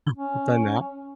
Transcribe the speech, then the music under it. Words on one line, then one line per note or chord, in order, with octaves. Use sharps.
I've done that.
C#4